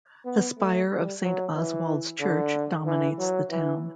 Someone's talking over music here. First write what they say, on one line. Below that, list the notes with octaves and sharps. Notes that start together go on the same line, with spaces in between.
The spire of Saint Oswald's Church dominates the town.
B3
A3
G3
F#3
E3
D3
E3
F#3
E3